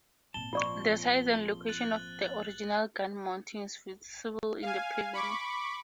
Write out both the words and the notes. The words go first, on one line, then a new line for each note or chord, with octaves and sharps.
The size and location of the original gun mounting is visible in the paving.
G#1 A#2 A5 G7
F3 C4 F4 D5 C#6
F#6 A6 F#7
F5 G#5
B5 C#6 D6